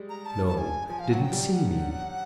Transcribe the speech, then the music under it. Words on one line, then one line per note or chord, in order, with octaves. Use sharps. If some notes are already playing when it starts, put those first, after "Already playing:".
No. Didn't see me.
Already playing: G3 G#3
A#5
A5
A5
G#5
F3 G#5
F5
F#3 F#5
F#3 G5
G3
F#5